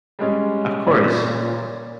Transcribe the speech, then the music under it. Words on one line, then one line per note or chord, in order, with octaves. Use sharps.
Um Of course.
G3 G#3 C#4
A#2 C#5 D5